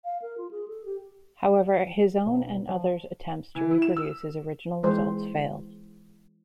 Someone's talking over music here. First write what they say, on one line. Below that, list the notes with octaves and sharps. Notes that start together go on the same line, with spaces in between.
However, his own and others' attempts to reproduce his original results failed.
F5
A#4
F4
G#4
A4
G4
B1
F3
E3
E4
E7
E6
E3 G#3 C5